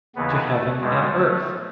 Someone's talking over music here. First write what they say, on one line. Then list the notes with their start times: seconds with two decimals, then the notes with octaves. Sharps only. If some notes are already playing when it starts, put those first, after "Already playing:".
To Heaven and Earth.
0.16 D#2 C#3 E3 B3
0.49 A3
0.81 E2 B2 G3 G#3
1.14 A3